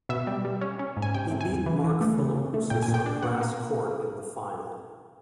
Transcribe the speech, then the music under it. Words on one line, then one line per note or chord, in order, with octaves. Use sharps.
He beat Mark Philippoussis on grass court in the final.
B2 E5
G3
G3
C#4
C#4
G#2
G#5
C3 G5
C3
G#5
E2
E3
E3
A3
C#3
C#3
A3
A#2 G5
G#5
A#2
G5
D4
A#2 F#5
A#3